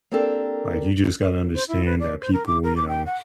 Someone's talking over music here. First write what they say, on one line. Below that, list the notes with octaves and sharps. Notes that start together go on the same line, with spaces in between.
like, you just gotta understand that people, you know,
A#3 C4 D4 G4 A4 A#4
C5
E4
B4
D5
C5
A#4
D6
A#4
D6
G5
F#5